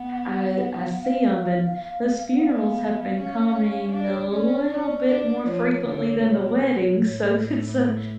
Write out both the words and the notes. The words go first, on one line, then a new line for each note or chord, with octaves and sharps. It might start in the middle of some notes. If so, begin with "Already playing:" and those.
I I see 'em, and those funerals have been coming a little bit more frequently than the weddings, so it's a
Already playing: B3 F#5
F5
F#5
F5
B3 F#5
F5
D5
F5
C#4
D4 F5
D5
C#5
D5
C#4
C#4
D4
F3 C#5
D3
B2
A2